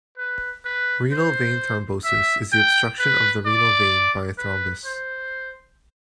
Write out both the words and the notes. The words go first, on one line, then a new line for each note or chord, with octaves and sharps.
Renal vein thrombosis is the obstruction of the renal vein by a thrombus.
B4
B4
C5
E5
G5
B4
D5
B4
C5